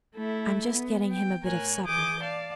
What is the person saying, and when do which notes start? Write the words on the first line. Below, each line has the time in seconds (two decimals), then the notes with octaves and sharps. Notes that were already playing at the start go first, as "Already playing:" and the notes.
I'm just getting him a bit of supper.
0.14 A3 E4 A4
0.70 B3
1.10 G5
1.42 A2 A#4 C#5 G#5 F#6
1.84 E3 G#4 D6 D#6 G6
2.19 D5 F5 A5